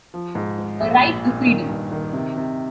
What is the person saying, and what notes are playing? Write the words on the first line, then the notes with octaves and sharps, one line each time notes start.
A right to freedom.
F3
G#2
G#1
A#1
A#2
A#2
D#3
G2
D#3
C3
C3